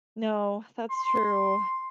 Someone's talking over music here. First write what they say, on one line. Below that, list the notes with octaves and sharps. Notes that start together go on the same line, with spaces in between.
No, that's true,
C6